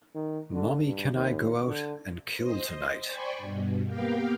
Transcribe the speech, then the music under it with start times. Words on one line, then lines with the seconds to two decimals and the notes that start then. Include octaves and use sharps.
Mommy Can I Go Out and Kill Tonight?
0.15 D#3
0.53 D3
0.84 G2
1.13 D#2
1.67 D3
2.35 C5 D#5
3.04 C5 D5 G5 G#5 B5 C#6
3.38 G2 B2
3.85 A#3 B3 G4 A#4 F5 G5